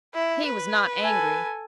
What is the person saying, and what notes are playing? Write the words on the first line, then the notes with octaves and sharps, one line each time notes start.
He was not angry.
E4
B4
A4 G#5